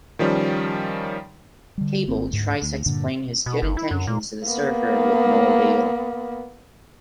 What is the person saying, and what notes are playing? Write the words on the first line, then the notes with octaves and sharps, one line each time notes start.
Cable tries to explain his good intentions to the Surfer with no avail.
D#3 F3 G3 C#4
D3 G3
G#1 A#3 C4
D2 G#2
D2
G2 A#2 D3
B2
G1
E4
F#2
A#2
A#3 B3